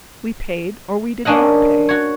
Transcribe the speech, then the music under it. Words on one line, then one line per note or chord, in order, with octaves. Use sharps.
We paid or we did not pay.
A#3 C#4 D4 D#5 F#5
F#4 C#5